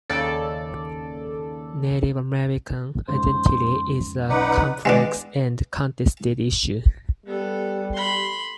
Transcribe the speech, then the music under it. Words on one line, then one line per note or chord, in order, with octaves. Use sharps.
Native American identity is a complex and contested issue.
D#2 C#3 A4 D5
F2 G#2 C#3 C5
B1 C#3 D#4 B4 D5 F#5
G#3 B3 D4
G3 B3 A4
B5 C6